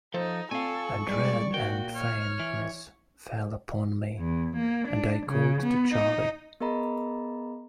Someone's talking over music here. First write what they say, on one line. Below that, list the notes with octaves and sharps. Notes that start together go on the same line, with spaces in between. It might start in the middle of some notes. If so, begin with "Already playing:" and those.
A dread and faintness fell upon me, and I called to Charley.
F3 D#4 A4 C5
C4 F4 A4 D5 F5 G#5 C#6
G2 G3 G#3 D5 G#5
A#2 F#4 A#4 G5
C#5 F6
E3
E2
A#3
D4
C#3
B3
D#4
B3 G#4 A#4 D#5 A#5 B5